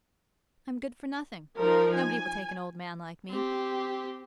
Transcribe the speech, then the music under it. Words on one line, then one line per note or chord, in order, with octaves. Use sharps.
I am good for nothing. Nobody will take an old man like me.'
F3 D#4 A#4
G#5
C4 G4